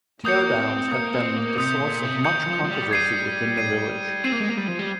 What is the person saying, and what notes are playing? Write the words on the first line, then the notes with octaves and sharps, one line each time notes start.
Teardowns have been the source of much controversy within the village.
A#3 D#6 G6 C#7
C4
A#3 D#6 G6 C#7
C4
A#3
C3 D#6 G6 C#7
A#2
C3
D#3 D#6 G6 C#7
F3
F3
G3
G#6 C7 D#7
G#6 C7 D#7
C4 G#6 C7 D#7
A#3
G#3
A#3
G3
F3
G3